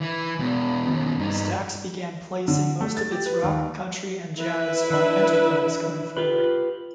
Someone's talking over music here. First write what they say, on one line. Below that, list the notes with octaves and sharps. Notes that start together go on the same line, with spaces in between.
Stax began placing most of its rock, country and jazz on Enterprise going forward.
E3
E2 B2
D#2 B2
G2 D#4
D3
A3
A6
G4
B4
D#2
E4 B4 E5
E3 D4
F4 G4 B4